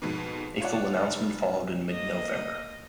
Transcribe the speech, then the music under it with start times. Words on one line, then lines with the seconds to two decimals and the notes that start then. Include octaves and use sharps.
A full announcement followed in mid November.
0.02 F2 G#2 B2
0.60 F4 C#5 D5 F#5
0.96 F1
1.88 A#3 D#5